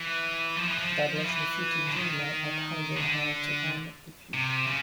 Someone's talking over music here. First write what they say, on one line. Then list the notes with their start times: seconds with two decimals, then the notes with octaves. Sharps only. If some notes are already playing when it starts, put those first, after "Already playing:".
Douglas defeated Dreamer at Holiday Hell to end the feud.
Already playing: E3
0.57 F3
0.67 E3
0.78 F3
1.16 F3
1.25 E3
1.86 D3
1.94 D#3
2.96 D3
4.34 C3
4.67 C#3